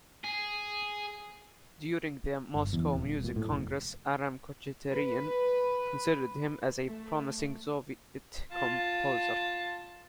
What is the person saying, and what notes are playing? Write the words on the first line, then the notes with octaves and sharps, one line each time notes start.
During the Moscow Music Congress Aram Khachaturian considered him as a promising Soviet composer.
G#4
G1
E2
D#1
A#2
A2
F1
B4
A3
F4 A5